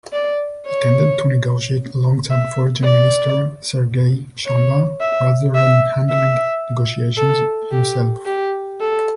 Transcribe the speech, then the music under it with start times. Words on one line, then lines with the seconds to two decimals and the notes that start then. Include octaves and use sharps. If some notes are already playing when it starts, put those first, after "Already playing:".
He tended to negotiate alongside foreign minister Sergei Shamba, rather than handling negotiations himself.
0.13 D5
0.67 C#5
2.30 E5
2.84 D5
4.46 C#5
5.01 E5
5.55 E5
6.10 E5
7.17 A4
7.71 G4
8.25 G4
8.80 A4